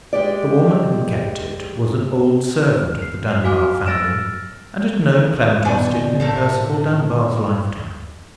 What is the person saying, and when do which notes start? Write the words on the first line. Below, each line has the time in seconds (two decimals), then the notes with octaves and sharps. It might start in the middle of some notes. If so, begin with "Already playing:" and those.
The woman who kept it was an old servant of the Dunbar family, and had known Clement Austin in Percival Dunbar's lifetime.
0.13 G#3 G4 D5
2.62 F6
3.02 C7
3.44 F#4 F5 G#5 D6 F6
3.86 E6 F6 A6 A#6 D7 E7
5.65 A#2 D#3 B3 D5 G#5
6.20 A2 F3 A3 A#4